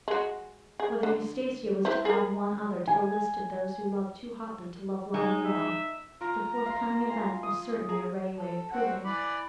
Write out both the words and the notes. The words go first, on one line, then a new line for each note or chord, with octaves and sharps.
Whether Eustacia was to add one other to the list of those who love too hotly to love long and well, the forthcoming event was certainly a ready way of proving.
G#3 F#4
G#4
D3
E4 B4 C5
G#4 A#4
G#5
G#3 D#4
E5
F4 A#5
F5 C6
G#5 C6
D#6
G#4 A#5
A4
C4 F#4 F#5
E3 D5 B5